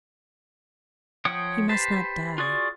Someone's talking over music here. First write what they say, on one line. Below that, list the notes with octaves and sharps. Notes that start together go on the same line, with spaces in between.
He must not die.
F3 C#5 F#5 G5 D#6
G4 B4 C5 A5
F4 F#4 G#4 D5 C#6